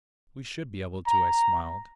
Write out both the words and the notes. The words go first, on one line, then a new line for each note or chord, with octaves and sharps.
"We should be able to," I smiled.
A#5